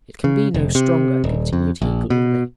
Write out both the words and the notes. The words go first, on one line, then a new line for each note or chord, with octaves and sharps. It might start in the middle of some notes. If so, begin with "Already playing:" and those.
It can be no stronger,' continued he, gloomily.
C#3
F1
C3
D#1
F2
A#1
B2